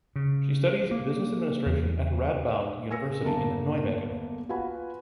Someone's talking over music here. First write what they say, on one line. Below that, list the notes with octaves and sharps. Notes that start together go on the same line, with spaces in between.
She studies business administration at the Radboud University in Nijmegen.
C#3
A#3
E2
G#5 E6 A#6 C#7
G1 E2 D3 A#3 A5
F4 F#4 B4 F#5 G#5 B5